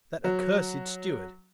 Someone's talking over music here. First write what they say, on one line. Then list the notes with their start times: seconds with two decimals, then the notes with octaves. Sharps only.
That accursed steward!
0.24 F#3